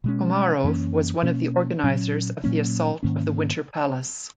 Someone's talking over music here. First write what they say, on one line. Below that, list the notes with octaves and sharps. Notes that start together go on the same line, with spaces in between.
Komarov was one of the organisers of the assault of the Winter Palace.
B2 G#3 C#4
F#2 E3 A#3 C#4
B2 A#3 C#4
A#2 F#3 C#4
A#2 F#3 A#3 C#4
G#2 D#3 A#3 C#4